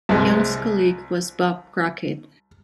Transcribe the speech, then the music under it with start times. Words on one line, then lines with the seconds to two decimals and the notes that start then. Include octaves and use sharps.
Young's colleague was Bob Crockett.
0.09 C2 G#3